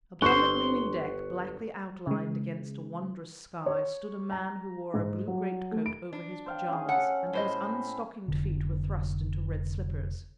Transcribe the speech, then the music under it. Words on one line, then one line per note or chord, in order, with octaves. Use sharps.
Upon the gleaming deck, blackly outlined against a wondrous sky, stood a man who wore a blue greatcoat over his pyjamas, and whose unstockinged feet were thrust into red slippers.
G1 D4 C5 C6 C#6 F#6
C#3 G#3
C#5
A#5
G#2
F#3
A3
D7
D4
C5 F5 G5
C#4 G#4
A4 F#5
A2 C5 D#5
F1 D3